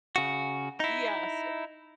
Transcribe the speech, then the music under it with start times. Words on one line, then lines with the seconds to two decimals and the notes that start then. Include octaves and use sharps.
Yes, uh
0.16 C#3 F#4
0.80 D#4 E4